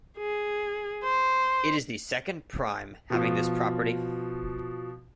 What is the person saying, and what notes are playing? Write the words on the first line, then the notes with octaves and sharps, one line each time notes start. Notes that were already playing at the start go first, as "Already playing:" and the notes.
It is the second prime having this property.
G#4
C5
B2 F3